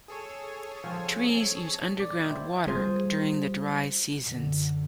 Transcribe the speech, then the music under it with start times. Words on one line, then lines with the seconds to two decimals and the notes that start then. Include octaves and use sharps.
Trees use underground water during the dry seasons.
0.08 G#4 A4 C#5
0.84 F3 C4
2.00 D5
2.26 C4 E4
2.67 G3 F4 G#4 C5
4.20 F#2 D3